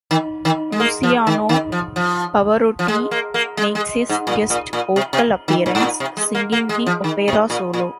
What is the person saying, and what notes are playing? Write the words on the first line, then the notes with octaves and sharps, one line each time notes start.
Luciano Pavarotti makes a guest vocal appearance, singing the opera solo.
D#3
D#3
G#3
A#3
F3
D#3
D#3
F3
F3
F3
G#3
A#3
A#3
G#3
G#3
G#2
A#2
A#2
A#2
C3
C3
D#3
A#2
G#2
A#2
C3
G#3
A#3
A#3
G#3
F3
D#3
C3
A#2
A#2